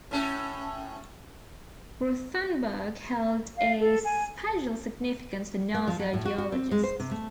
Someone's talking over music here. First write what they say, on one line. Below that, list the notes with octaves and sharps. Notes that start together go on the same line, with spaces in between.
Rothenburg held a special significance for Nazi ideologists.
A2 C#4 A4
F5
A4
G#5
A#3
F3
F#3
A2
F#4
F#4
C4
G#3
C5
C3
A3